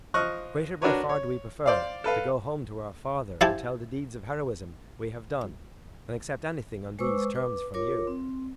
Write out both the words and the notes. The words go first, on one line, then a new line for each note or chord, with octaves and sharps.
Greater by far do we prefer to go home to our father and tell the deeds of heroism we have done, than accept anything on these terms from you.
F3 D#5 C#6 F6 F#6
D4 F#4 A#4 B4 C#5
C#5
C5 D5 F5
A4 B4 F5
F3 E4 G4 G#5 A5
G#3 B4 C5 C#6 D6 E6
B4 D6
F4 A#4 C#5 D6
C4